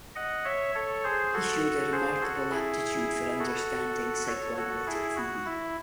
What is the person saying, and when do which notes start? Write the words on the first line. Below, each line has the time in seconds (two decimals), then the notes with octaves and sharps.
He showed a remarkable aptitude for understanding Psychoanalytic theory.
0.15 D#5 F#5
0.45 C#5 E5
0.75 A4 C#5
1.04 G#4 C5
1.34 F#4 A4
1.92 G#4 C5
2.21 F#4 A4
2.51 E4 G#4
3.39 F#4 A4
4.27 A4 C#5
4.57 F#4 A4
4.87 E4 G#4
5.16 F#4
5.46 E4